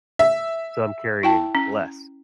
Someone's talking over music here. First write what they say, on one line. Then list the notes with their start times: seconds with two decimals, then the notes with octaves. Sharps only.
so I'm carrying less,
0.19 E5
1.23 E4 G5 A5
1.55 C#4